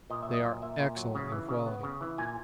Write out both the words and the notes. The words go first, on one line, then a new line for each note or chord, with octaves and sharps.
They are excellent in quality.
A#2 D#5
E5
F#3
D#5
A#2
A#3 E5
A#2
F#3
C#3
E3
C#3
B3
C#3
E3
A#2 G#5